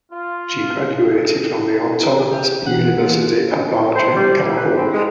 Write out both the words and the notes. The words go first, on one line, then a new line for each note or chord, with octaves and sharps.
She graduated from the Autonomous University of Baja California.
F4
D4
G4
E3 F#5
A#3 F4
C5
G3
E4
B4
C4
G#3